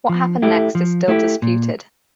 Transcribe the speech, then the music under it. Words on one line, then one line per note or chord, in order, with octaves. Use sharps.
What happened next is still disputed.
F3
A3 E4 G4
F3
A3 E4 G4
A#2